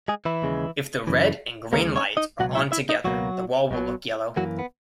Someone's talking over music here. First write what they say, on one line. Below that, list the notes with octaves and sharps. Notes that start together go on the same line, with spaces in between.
If the red and green lights are on together, the wall will look yellow.
G#3 G#4
E3 E4
D#2 C#3 G#3
F#2 C#3 E3
D#2 C#3 G#3 A#3 A#4
C#4 C#5
D#4 D#5
C#2 B2 F#3 F#4 F#5
E4 E5
E4 E5
D#4 D#5
C#2 B2 F#3 A#3 F#4
B1 B2 F#3
F#2 E3 F#3 A#3 F#4
B3